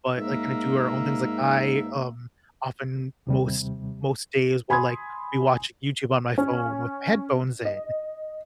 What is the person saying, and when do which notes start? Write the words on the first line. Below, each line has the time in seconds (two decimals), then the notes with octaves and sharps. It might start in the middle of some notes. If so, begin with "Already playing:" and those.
but, like, kinda do our own things, like I, um, often most most days will, like, be watching YouTube on my phone with my headphones in,
0.18 G#2 A#3 E5
3.27 D#2 C3 G3
4.70 G#5 B5 C6 D#6 G#6
6.38 C#4
7.65 D#5